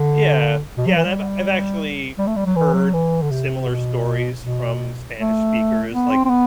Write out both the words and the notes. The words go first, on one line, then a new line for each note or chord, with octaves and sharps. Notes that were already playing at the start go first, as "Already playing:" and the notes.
Yeah. Yeah, and I've I've actually heard similar stories from Spanish speakers, like,
Already playing: D3
B2
F#3
E3
G3
G3
A3
G3
F#3
E3
F#3
E3
D3
C3
B2
B2
A3
B3
C4
C4
B3